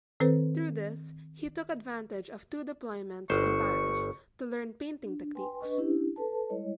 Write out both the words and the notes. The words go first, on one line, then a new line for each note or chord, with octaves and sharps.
Through this, he took advantage of two deployments in Paris to learn painting techniques.
D#3 C4 A4 B4 C5
G1 C5 C#6
D4
B4 G5 G#5 C6
D4 B4 D#5 C#6
C#4 D4 E4 G4
A4 B4 A5
G3 G#3 E4 C#5 D#5